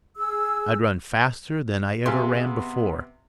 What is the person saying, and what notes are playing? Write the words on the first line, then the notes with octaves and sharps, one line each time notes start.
I'd run faster than I ever ran before.
G#4 E6
C3 B3 G4 G#4 E5 F5 G#5 C6